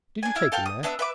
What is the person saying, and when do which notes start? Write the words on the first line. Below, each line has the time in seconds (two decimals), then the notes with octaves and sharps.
'Did you take him there?'
0.23 D4 G#5
0.36 E4 E5 F6
0.52 A4 F5 G5 A5
0.66 D#6
0.83 B3 D4 E5 D#6
0.99 B4 E5 D6